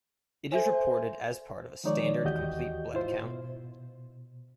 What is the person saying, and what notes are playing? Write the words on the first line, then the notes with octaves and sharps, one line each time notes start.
It is reported as part of a standard complete blood count.
A4 C5 E5 G#5
D#3 F3 G#3 D#4 C#5 D5
D#2 E3 F#4 G4 D#5 G6
G#2 E4 F4 C5
B2